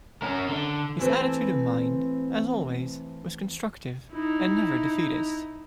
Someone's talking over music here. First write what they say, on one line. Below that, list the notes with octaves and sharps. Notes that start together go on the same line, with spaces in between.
His attitude of mind, as always, was constructive and never defeatist.
C#4 A#4
D3
E3 A3 C4 A4 B4 C5
D#4 E4